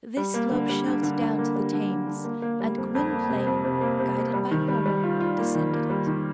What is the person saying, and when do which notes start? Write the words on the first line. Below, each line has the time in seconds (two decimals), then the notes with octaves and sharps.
This slope shelved down to the Thames; and Gwynplaine, guided by Homo, descended it.
0.17 G3
0.34 A#3
0.51 D3
0.69 G3
0.86 D3
1.03 D3
1.21 D3
1.38 A#3
1.56 G3
1.73 D3
1.91 D3
2.07 D3
2.25 A#3
2.42 A#3
2.60 G3
2.78 F2
2.95 F2
3.12 A#3
3.30 C3
3.47 F2
3.65 C3
3.81 A#3
3.99 C3
4.16 A#3
4.34 G3
4.51 D#3
4.68 G3
4.86 G3
5.03 F4
5.20 F4
5.38 A#3
5.55 D#3
5.73 A#3
5.90 G3
6.07 D#3